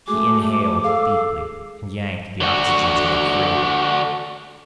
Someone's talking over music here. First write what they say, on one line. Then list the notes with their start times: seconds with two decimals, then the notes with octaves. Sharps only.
He inhaled deeply and yanked the oxygen tank free.
0.07 G#3 A3 F#4 G#4 D6
0.84 G#4 A4 F5
2.41 D3 F#4